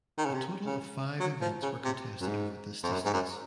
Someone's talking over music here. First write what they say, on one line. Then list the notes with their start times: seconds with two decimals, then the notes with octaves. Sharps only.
A total of five events were contested over this distance.
0.18 D#3
0.25 C#3
0.34 C3
0.66 C#3
1.20 F#3
1.41 F3
1.62 C#3
1.84 C3
2.21 F#2
2.27 G#2
2.83 F2
2.92 F#2
3.05 G#2
3.13 F#2